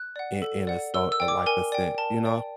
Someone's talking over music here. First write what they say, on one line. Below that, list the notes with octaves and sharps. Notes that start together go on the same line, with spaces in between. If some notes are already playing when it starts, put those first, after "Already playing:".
in in a so or like a saint, you know?
Already playing: F#6
D5 F#5
A4
D5 F#5
A#4 E6
E6
D5 G5
D6
A#4 G#5
D5 G5
A#4 A5
D5 G5